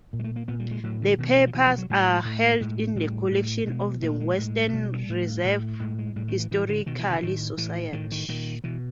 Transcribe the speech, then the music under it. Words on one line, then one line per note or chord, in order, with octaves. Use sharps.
Her papers are held in the collections of the Western Reserve Historical Society.
A#2
G#3
A3
A#3
A#2 B3
G3
G#3
A2 F#3
D3
B2 D#3
E3
F3
B2 E3
F3
F#3
A2 G3
G#3
A2 A3
A2 G#3
A2 G3
A2
B2 G#3
A#2 A3
G#3
A2 G#3
B2 G3
A2
A2
A2 G#3
G#3
A2 G3
D#3
E3
A2 E3
D3
B2 D#3
E3
D3
A2 D#3
A2 E3
A2 D#3
D#3
A#2 D#3
B2 E3